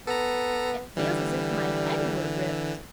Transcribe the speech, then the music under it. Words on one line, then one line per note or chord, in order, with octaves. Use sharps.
"It feels as if my head were ripped."
B3 A4 A#5
D3 E3 G3